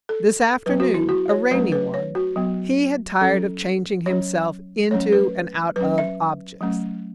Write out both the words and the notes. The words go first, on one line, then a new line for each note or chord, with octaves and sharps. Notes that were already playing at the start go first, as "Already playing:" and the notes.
This afternoon, a rainy one, he had tired of changing himself into and out of objects.
A4
F#3 B3 B4
F#4
E4
F#4
C#5
F#3 A3 C#4 B4
B4
C#5
F#4
F#3 B3
F#3 C#4 A4
F#3 C#4 C#5
F#3 A3 C#4 C#5
B4
F#3 C#4 B4
E5
F#3 A3 C#4